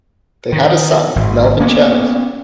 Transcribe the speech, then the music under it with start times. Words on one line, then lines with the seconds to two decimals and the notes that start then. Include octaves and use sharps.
They had a son, Melvin Chernev.
0.53 D#3
1.16 G#1
1.60 A#3 B3 C#4